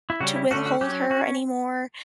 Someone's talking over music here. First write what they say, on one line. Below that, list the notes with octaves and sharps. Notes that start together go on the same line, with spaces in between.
to withhold her anymore.
E4
C#3 G3 C#4 F#4
E4
D3 A3 C#4 F#4
F#4
F#3 C#4 G4
C#4 F#4